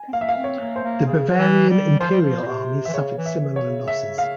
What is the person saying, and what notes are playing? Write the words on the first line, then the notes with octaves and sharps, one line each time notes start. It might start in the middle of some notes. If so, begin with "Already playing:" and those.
The Bavarian-Imperial army suffered similar losses.
Already playing: G#5
C4
A#3 F5
E5
F5
C4
C#5
A#3
C5
A#3
C#3 G#4
F3
E3
G3
F3 C5
G3
F3
A#2
C3
E3 E5
C#3 C#5
E3
E5
E3
C#5
C#3
E5
F5